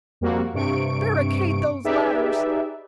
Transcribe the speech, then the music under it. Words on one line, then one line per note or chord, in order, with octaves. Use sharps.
Barricade those ladders!
F2 G3 A#3 C4 F#4
G2 C3 C#6 D7
D#4 G4 G#4 B4 D5 E5